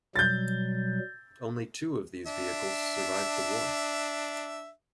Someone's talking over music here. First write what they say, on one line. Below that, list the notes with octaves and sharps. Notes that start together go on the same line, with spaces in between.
Only two of these vehicles survived the war.
B2 F#3 G3 G6 A6
D4 E5